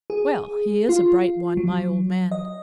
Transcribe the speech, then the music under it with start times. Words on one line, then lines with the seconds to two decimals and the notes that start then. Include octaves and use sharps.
Well! he is a bright one, my old man!
0.10 G#4
0.89 F4
1.57 F#3
2.31 D#5